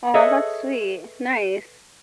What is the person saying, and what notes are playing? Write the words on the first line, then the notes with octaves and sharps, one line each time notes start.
Aw, that's sweet, nice.
G#4 A4 B4 C#5 D#5 E5